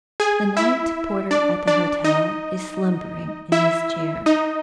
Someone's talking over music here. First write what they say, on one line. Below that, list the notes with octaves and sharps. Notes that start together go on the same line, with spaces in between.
The night-porter at the hotel is slumbering in his chair.
G#4 G#5
E4 E5
D4 D5
D4 D5
D#4 D#5
E4 E5
D#4 D#5